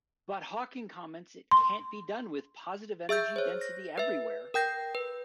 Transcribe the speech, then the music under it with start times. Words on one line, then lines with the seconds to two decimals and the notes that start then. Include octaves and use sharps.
But Hawking comments it can't be done with positive energy density everywhere!
1.51 C6
3.09 G#4 E5 E6 G6
3.36 C5 C#5
3.61 A#6
3.98 B4 E5
4.54 A#4 G5 G6 A#6
4.95 B4